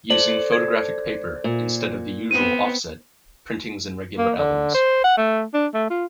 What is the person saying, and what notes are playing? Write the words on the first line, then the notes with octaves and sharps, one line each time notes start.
Using photographic paper, instead of the usual "off set", printings in regular albums.
A4 C5 D5 F#7
G#6
A#2
B3 C4 D#7
A#3
D3
C5
F#5
A3
D4
A3
F4